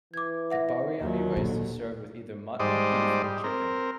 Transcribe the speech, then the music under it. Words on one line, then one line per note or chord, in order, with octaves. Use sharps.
The bariani rice is served with either mutton, beef or chicken.
E3 D6 G#6
E5 F#5 A#6
D#2 A#2 F#3
A#2 D3
G#2 G3 C5 D5 D#5
G3
C4 A#4